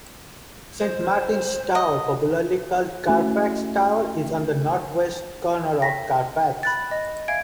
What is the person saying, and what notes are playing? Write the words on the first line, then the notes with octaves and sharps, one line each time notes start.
Saint Martin's Tower, popularly called "Carfax Tower", is on the northwest corner of Carfax.
C5
D#5
A3 C#4 E4 F#4
G5 A#6 B6
B5 F#6 A6
D#5
E5 F5 G#5 G#6 D7